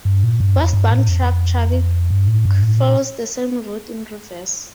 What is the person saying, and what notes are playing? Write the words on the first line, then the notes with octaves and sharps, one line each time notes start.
Westbound truck traffic follows the same route in reverse.
G2
A#2
G2
F2
G2
A2
F2
G2
A2
G2
A2
A#2